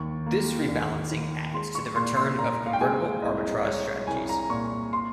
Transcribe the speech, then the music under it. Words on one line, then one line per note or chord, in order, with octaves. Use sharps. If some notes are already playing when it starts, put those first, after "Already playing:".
This rebalancing adds to the return of convertible arbitrage strategies.
Already playing: D#2 C#6
A#3
D#2
D#3
G#3 C6
C#6
A#2 C6
C6
A#2 A#5
F5
G5
G#3 G#5
C2 D#5
G#3 C#5
C2 G#5
A#5
A#2 C#6
C6